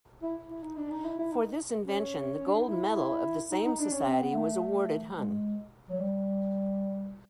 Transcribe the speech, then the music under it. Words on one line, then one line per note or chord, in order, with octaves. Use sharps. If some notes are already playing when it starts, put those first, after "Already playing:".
For this invention the gold medal of the same society was awarded hun.
E4
E4
D#4
D4
D#4
E4
E4
D#4
C#4
D4
D#4
E4
D#4
D#4
D4
C#4
C4
B3
A3
G#3
F#3
G3